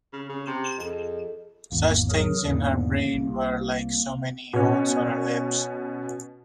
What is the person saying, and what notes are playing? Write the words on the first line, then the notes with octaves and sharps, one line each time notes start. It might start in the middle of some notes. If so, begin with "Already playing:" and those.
Such things in her brain were like so many oaths on her lips.
C#3
C#3
C3
F2 G#4 A4 D#5
G#1 E2 A#3
F#3 G#4 A#4
E2 G#2 D3 A#3
C2
B2 C#4